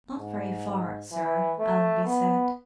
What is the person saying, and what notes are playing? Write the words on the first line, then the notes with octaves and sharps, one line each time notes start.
"Not very far, sir," Allenby said.
G#2
E3
A3
B3